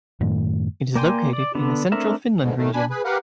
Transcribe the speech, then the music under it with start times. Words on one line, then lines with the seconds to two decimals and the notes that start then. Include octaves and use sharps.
It is located in the Central Finland region.
0.21 F#2 A2 D#3 A3
0.96 A#3 D5 G5 G#5 C6
1.33 D5
1.55 D3 B3 D4
1.92 A3 C4 D4 A#4 E5
2.41 D2 G#2 B2
2.57 A2 D#3 A3
2.74 D4 G#5 B5
2.90 G#4 B4
3.05 G4 A#4 B4 F5 F#5